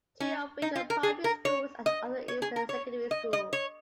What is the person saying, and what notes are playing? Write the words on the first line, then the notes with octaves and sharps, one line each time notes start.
Two of which are primary schools and the other is a secondary school.
C#4
D#4
F4
A#4
G#4
A#4
C#5
D#5
C#5
G#4
A#4
C#5
D#5
D#5
C#5